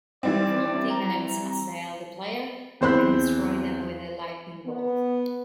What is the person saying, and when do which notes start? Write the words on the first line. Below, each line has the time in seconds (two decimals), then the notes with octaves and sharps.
Floating enemies assail the player, who can destroy them with a lightning bolt.
0.23 E3 G3 C4 D5
0.90 A#5
2.81 E2 C4 C5 B5 F#6
4.66 B3